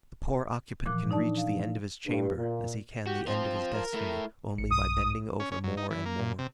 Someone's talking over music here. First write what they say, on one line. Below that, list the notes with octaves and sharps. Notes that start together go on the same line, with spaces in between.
The poor occupant can reach the end of his chamber as he can the end of his destiny, only by bending over more and more.
A#2 E3 F3 D6 F#6
D4 D#4 D5 A5
F5
G2
A#2
F#4 G4
C4 F4 C5
A#4
A3 E4
A1 C#7
B1 G2 D#6
C#4
C#4
F#2
D#4
E3
A#3
A#2
C3